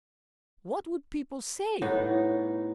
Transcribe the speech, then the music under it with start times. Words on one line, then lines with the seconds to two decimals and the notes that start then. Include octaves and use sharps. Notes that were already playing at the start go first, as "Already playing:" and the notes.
What would people say?
1.82 A2 B3 D#4